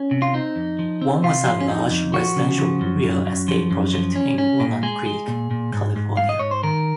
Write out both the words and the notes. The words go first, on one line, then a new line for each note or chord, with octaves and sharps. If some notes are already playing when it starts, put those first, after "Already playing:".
One was a large residential real estate project in Walnut Creek, California.
Already playing: C#4
C3
F4
C4 D#4
F2
F3
C4
C3 F4
F3
C#4
F2 D#4
F2
F3 F#4
C#3
F3
F#2
F#2
F#2
F3
F#2
F3
C#4
C#4
A#2
G#3 G#4
G#3
A#2
A#2
G#2
G#2
G#2 F5
D#5
G#2 C#5
C5
D#3 A#4